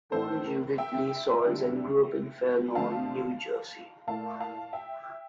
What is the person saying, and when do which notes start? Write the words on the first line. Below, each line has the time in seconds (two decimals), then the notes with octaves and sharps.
She was born Judith Lee Sauls and grew up in Fair Lawn, New Jersey.
0.12 A2 E3 A3 C4 A4 C5
0.46 A#4
0.78 E5 G5
1.44 D3 G3 D4
2.75 D3 F3 A3 C4 F5 A5
4.07 A#2 A3 E4 F5 A5
4.40 F5 A5
4.73 E5 G5